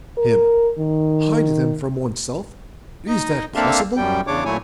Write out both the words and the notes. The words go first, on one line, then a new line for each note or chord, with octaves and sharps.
HIM: Hide them from oneself--is that possible?
A#4
D#3
D#4 D#5
A#3 C4 D4 A4 E5 F5
F#2 G3 G5
E2 C#3 D4 C#5 D6
A#2 F#3 A3 E4 C#5 G#5